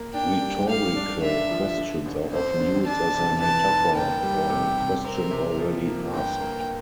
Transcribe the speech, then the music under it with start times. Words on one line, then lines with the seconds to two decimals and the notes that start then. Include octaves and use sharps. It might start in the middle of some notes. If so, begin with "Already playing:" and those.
Rhetorical questions are often used as a metaphor for a question already asked.
Already playing: A#3
0.14 D4 G5
0.42 G3
0.69 G3 F5
0.96 D4
1.23 D3 E5
1.51 F3
1.78 D3
2.05 A1
2.32 F2 C5
2.60 D3
2.87 D4 A5
3.15 C3
3.41 E3 A5
3.68 F1
3.95 A#3 G5
4.23 G3
4.49 C3
4.78 C3
5.04 C4 A#4
5.31 C3
5.59 F3
5.86 A#3
6.13 G1 G5
6.41 A#3